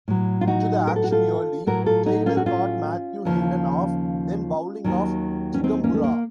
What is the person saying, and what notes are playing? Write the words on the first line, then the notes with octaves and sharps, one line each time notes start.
Into the action early, Taylor caught Matthew Hayden off then bowling of Chigumbura.
A2 F#3
F4
D#4 F#4
A#4
A4
F#4
F4 A4
A2 F#3 F#4 A#4
F4 A4
D#4 F#4
C#4 F4
F#4
C#4 F4
D#2 C#3 F3
D#2 D#3 F#3
C#4
C4 D#4
A#3 C#4
A3
A#3